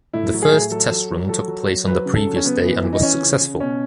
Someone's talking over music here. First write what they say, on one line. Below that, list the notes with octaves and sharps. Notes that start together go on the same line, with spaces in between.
The first test run took place on the previous day and was successful.
A2 E4
F#3
G#4
A2
F#3 A4
F#3
F#3
F#3 A4
F#3
F#3
F#3 B4
C#3
A4
F#3
C#4
C#3 B3
E3
E3
D#4
E3 C#4
C#3
C#3
B2 C#4